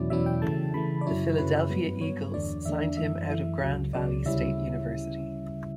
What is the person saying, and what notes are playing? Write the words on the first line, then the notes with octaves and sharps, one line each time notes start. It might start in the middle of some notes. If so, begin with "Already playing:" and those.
The Philadelphia Eagles signed him out of Grand Valley State University.
Already playing: E2 B2 F#3 C#4 E4 D5
E2 B2 F#3 C#4 E4 E5
G5
C#3 E3 A3 A5
C#3 E3 A3 B5
D5
F#2 C#3 F#3 C#4 E4 C#5
F#2 C#3 F#3 C#4 E4 B4
G2 F#3 B3
G2 F#3 B3 C#5
E2 D3 A3 D4 D5
E2 D3 A3 D4 E5
F#2 E3 A3 E5
F#2 E3 A3
C#2 C#3 F#3
C#2 C#3 F#3 D5
D2 C#3 G3 C#4 E4 E5